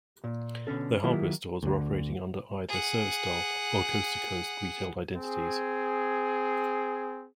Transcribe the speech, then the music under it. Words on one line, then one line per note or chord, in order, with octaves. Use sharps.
Their hardware stores were operating under either ServiStar or Coast to Coast retail identities.
A#2
B2 D3 C#4 A4
D#3 F#3 A#3 E4 F4 G4
D2 D3
G#4 F#5
C4 G#4